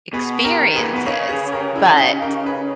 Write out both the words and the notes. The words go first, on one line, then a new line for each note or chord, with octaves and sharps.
experiences, but
B2 G#4 B4
G4 A#4
D#3
A#2 G#4 B4
B2 B4
C#3 A#4 C#5
G#4 B4
G4 A#4
E4 G#4
D#4 G4
G4 A#4
G#4 B4